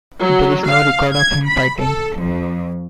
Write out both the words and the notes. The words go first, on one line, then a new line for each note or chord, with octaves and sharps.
There is no record of him fighting.
F#3
F5
G#6
B5
A4
F2